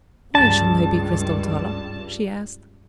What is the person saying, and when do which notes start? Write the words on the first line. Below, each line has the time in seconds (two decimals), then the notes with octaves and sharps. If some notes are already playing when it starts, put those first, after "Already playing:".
"Why shouldn't I be Cristel Toller?" she asked.
0.35 C#2 G2 A5